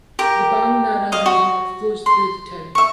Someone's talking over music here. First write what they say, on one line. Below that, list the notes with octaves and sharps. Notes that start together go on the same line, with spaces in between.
The Bang Nara River flows through the town.
G4 A#4
D#5 F5
F#4
C6
E5 C#6